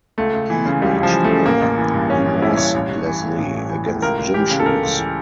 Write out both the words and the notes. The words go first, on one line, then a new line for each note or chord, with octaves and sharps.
He waged war remorselessly against gym shoes.
C#2 A3
C#2
E3
C#3
C#2 G3
C#2
F3
E3
A3
C#3
A1 A#3
A1
E3
G2
A1 C#4
A1
E3 E4
G2 C#5
A1
A1
E3
A2
A1
A1
E3
A2
C#2 A#4
C#2
E3 G4
C#3
A4
C#2 A#4
C#2
E3